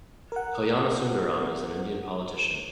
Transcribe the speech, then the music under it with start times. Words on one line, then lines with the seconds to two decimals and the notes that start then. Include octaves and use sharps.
Kalyanasundaram is an Indian politician.
0.32 A#4 F#5